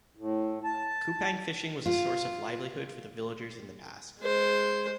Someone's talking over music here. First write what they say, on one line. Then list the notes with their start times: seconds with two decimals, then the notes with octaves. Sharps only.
Kupang fishing was a source of livelihood for the villagers in the past.
0.17 A2
0.64 A5
1.86 F4
4.21 G#3 C5